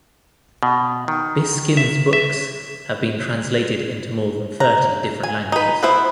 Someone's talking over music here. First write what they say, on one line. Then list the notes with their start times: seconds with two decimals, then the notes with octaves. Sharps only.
Biskind's books have been translated into more than thirty different languages.
0.63 B2
1.08 D#3
1.77 E5
2.13 E5
4.60 A#5
5.23 G#5
5.52 D#4 B4
5.83 B3 E4 C5